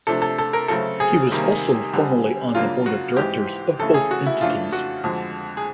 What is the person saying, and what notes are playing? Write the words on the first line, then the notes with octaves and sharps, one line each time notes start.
He was also formerly on the Board of Directors of both entities.
C3 F3 A3 D4 A4
A4
A4
A#4
C#3 F#3 A3 C4 A4
G#4
C3 D#3 G3 A#3
D3 G3 C4
C#3 F#3 A#3 D4 F4
F#4
G#2 E3 G#3 C4 G4
C#3 E3 A3 C#4 A4
G#4
F#4
E4
F2 C#3 E3 A3 D4 F4
F#4
F2 D3 F3 G#3
G#4